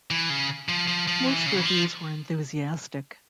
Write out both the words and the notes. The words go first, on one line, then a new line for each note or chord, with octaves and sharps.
Most reviews were enthusiastic.
E3
C#3
F3
F3
F3
E3
C#3
E3
F3